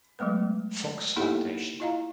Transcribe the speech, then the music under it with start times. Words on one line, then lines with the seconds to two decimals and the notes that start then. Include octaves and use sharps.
Fox Foundation.
0.19 F#3 G#3 A3 B3 B4
1.16 A#3 B3 D#4 E4 G4 A4
1.80 E4 F4 D#5 F5 A#5